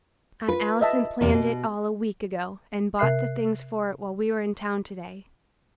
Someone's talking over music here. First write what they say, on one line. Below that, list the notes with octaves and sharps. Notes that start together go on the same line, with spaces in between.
Aunt Allison planned it all a week ago, and bought the things for it while we were in town to-day.
F4 B4
D#5 E5 A5
E2 C3
B2
C3 A#4 E5 F#6 C7